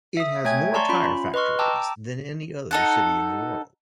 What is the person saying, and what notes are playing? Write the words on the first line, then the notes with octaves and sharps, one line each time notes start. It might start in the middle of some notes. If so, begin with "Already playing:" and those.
It has more tire factories than any other city in the world.
E5 D#6
A3 C#5 E5 G5 G#5 G#6
D5 A5 A#5 C6 C#6
C#4 F4 B5
B4 D#5 C6 C#6 F6
G5 A5 A#5 D6 E6
D#4 A4 F#5